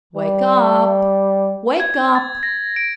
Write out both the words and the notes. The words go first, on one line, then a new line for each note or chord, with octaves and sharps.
"Wake up! Wake up!"
G3
G#6
A6
A#6
D7